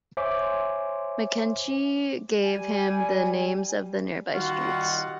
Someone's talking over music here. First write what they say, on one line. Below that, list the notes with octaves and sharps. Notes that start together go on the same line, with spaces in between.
McKechnie gave him the names of the nearby streets.
C5 C#5 E5 G#5 C6 D6
G3 G#5
D#3 G3 F4 F#4 F#5